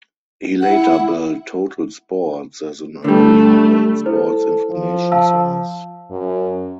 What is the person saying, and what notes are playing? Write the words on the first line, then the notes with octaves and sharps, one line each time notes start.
He later built Total Sports as an early online sports information source.
E4 F#5
D3 G3 A3
E4 A4 C5
F3
F5 A5 E6
F#2